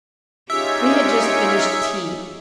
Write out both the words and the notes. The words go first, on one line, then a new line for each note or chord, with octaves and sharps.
We had just finished tea.
C#4 D#4 F4 G4 G#4 C#5 E5